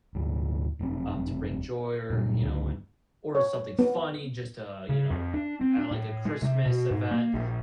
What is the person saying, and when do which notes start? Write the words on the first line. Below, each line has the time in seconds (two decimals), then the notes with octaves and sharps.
um, to bring joy or, you know, when or something funny just to, you know, kinda like a Christmas event,
0.14 D2 G#2
0.79 F#1 F2 A#2 C4
2.10 F#2 A#2 G3
2.43 C#2 D3 A3 B3
3.35 C#5
3.79 B3
4.89 C#3
5.11 F2
5.34 D4
5.61 C4
5.78 D4
5.91 A2
6.25 G#3
6.42 C3
6.66 B2
6.91 G#2
7.11 A#3
7.34 A#1